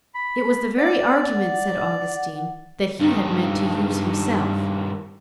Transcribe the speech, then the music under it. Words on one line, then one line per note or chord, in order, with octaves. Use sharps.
It was the very argument, said Augustine, that he had meant to use himself.
B5
D5 F#5
G2 D#3